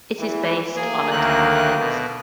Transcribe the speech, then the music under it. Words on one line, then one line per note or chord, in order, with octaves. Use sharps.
It is based on a template.
E2 E3
F#3 A3 A#3 G#4
D2 D#3 F#6
B2